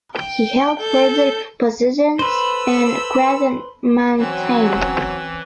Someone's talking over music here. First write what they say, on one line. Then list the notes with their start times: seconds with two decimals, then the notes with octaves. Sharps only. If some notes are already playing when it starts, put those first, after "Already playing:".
He held further positions in Graz and Mannheim.
0.16 G5
0.79 A4 G6
2.19 A4 B4 C5 B5 E6
4.19 E3 F#3 C4 C#4 G#5 E6